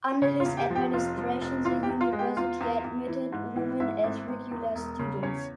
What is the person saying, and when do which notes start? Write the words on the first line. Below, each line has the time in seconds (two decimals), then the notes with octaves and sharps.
Under his administration, the university admitted women as regular students.
0.22 C#3 C#4 C#5
0.40 F4 F5
0.45 E2
0.58 G4 G5
0.70 F3
0.75 G4 G5
0.93 F1 F4 F5
1.17 F3
1.42 F1
1.65 E3 F4 F5
1.83 G4 G5
1.89 E2
2.01 F4 F5
2.13 G#3
2.19 G4 G5
2.37 E2 F4 F5
2.61 E2
2.84 E2
3.08 E3
3.32 G#2
3.56 E3
3.80 G#2 E4 E5
4.04 G#1
4.28 G#1
4.52 E2
4.75 E1
4.99 C#3
5.23 E2 C#4 C#5